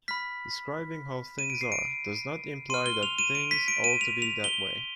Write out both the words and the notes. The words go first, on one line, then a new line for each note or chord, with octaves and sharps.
Describing how things are does not imply that things ought to be that way.
B5 F6 B6
D#7
D7
C7
D7
C6 F6 D#7
G7
F7
D#7
D7
B6
D7
D#7
F7
F7
G7